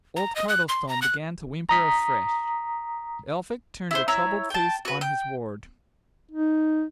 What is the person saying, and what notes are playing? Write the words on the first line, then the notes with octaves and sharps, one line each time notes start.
Old Cardlestone began to whimper afresh; Elphick turned a troubled face on his ward.
A#5
D#5
F#6
C6
A#5
F#6
A#5 D#6 B6
E4 G#4 C5
E4 C#5 A#5 E6
G5 A5
F#4 B4
G5
D#4